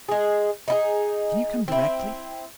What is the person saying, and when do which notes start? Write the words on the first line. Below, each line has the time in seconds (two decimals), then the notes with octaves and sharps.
Can you come directly?'
0.09 G#3 G#4
0.68 D#4 E4 G#4
1.68 C4 E4